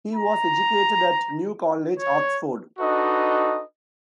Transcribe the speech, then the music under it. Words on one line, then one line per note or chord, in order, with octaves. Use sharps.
He was educated at New College, Oxford.
A#5
C#5
D4 D#4 F#4 A4 B4 D#5